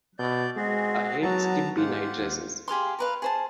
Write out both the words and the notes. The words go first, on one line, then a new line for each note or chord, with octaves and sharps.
I hate skimpy night-dresses.
B2 D5 G6
G#3 C4 F#4 G#4
F#3 B3 A5 A#5
G#2 F4 G4 F#5
D#2
G4 G#4 F5 C6
A#4 B4 F5
G#4 C5 A5